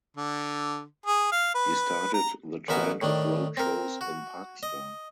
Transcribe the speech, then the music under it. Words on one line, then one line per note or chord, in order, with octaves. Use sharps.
He started the trend of road shows in Pakistan.
D3
G#4
F5
B4
A#5
A1 B3 A#4 E5 F#5 G#5
A2 D#3 D4
C4 A#4
F#4
D#5